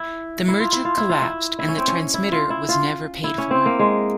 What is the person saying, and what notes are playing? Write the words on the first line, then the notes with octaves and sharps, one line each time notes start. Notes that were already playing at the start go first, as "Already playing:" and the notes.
The merger collapsed, and the transmitter was never paid for.
Already playing: E4
E4
F4
E4
F4
E4
F4
E4
E4
C#4
C4
C#4
E4
F4
E4
F4
E4
C#4
C4
A#3
G#3